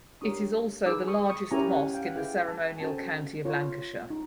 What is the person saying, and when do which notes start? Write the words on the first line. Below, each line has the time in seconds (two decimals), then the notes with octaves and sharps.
It is also the largest mosque in the ceremonial county of Lancashire.
0.21 D4 G4 A#4 C#5 C#6 D#6
0.86 D#4 G#4 B4 D6 E6
1.08 C#6 D#6
1.30 C#6 D#6
1.51 C#4 E4 G4 A#4 C#5 G#5 A#5
1.72 F#5 G#5
1.94 F5 G5
2.05 F#5
2.15 E4 G#4 B4 F5 G5
2.41 G#5
2.48 G5 A5
2.77 G#5
2.80 C#4 F#4 A4 C5 G5 A5
3.45 F4 A#4 C#5
4.10 D#4